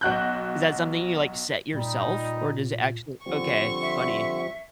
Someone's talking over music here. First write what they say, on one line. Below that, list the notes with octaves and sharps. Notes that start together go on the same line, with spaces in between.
Is that something you, like, set yourself or does it actually Okay, funny.
B1 F#4 F#6 G6
A#2 G3 D#4
D3 F3 G3 C4 C#6
E5